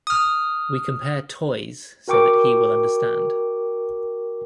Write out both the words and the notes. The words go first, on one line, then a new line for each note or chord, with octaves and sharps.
We compare toys so that he will understand.
D#6 F6
F#4 A#4 G5 C#6 D6